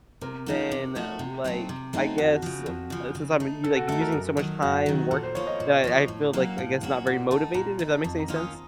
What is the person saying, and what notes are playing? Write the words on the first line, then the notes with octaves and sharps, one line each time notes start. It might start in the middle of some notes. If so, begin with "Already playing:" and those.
then, like, I guess, uh, since I'm u like, using so much time, and working, that I feel, like, I guess not very motivated, if that makes any sense.
C3 A#4
F3 A3 D#4 F#4
C3
F3 A3 D#4 F#4
C3
F#3 A3 C4 D#4
C3
F#3 A3 C4 D#4
F2 F#4
C#3 F3
F2
C#3 F3
C#3
A3 D#4
C#3 A4
F#4
A3 D#4 A4
A#4
F#2
D#3 F#3
F#2 F#4
D#3 F#3
A#2 A4
C5
F3 A#3 F4 C#5
D#5
A#2
F3 A#3 F4
A2
F#3 A#3 C#4 F#4
A2 F5
F#3 A#3 C#4 F#4
A#2 F#5
A3 D#4 A5
A#2 A#5
A3 D#4
F2 A5
A#5
D#3 A#3 C#4 F4
D#6